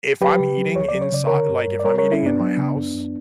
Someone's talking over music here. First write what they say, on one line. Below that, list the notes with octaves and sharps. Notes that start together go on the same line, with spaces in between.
if I'm eating insi like, if I'm eating in my house,
F#3 G4 B4
C#3
F#3
C#2 C#5
F#3 D5
C#5
C#3 D5
D3 A#4 C#5
G2
G2
D5
G3 A#4 C#5
G3 A#4 C#5
C#4 E4
G2 B3 D4
F#3
C#3
F#2
F#2